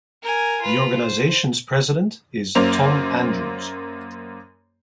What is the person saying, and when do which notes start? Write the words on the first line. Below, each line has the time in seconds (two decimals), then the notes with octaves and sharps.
The organization's president is Tom Andrews.
0.23 A#4 G#5
0.62 F4 B4
1.00 C5
2.55 F#2 A#3 C5 F7